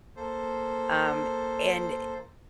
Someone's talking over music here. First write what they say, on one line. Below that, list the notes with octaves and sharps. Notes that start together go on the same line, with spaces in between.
um and
A#3 A4 C5